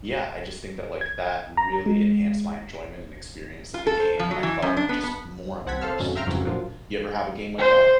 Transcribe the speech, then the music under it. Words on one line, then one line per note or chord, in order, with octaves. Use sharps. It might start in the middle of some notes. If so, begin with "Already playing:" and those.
yeah, I just think that, like, that really enhanced my enjoyment and experience of the game, and I felt, just, more immersed into it. You ever have a game like that?
G#6
A#5
G#3
F4
A4
C5
F3
F#3
E3
F#2
D4
B3
B3
C2 C4 F#5 A5 G#6 B6
A4 C5 F5 A5 E6 F6
F2 G#2 B2 D3 F#3 C#4
E5 F5 G5 A#5 C6 F6
F2 G#2 C#3 E3 F#3 C#4
A#2 F3 F#3 A#3 D4 F4
C5